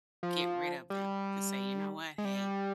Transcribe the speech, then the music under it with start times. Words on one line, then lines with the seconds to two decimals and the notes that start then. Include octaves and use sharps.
get rid of them, to say, "You know what, hey,
0.23 F3
0.90 G3
2.18 G#3
2.25 G3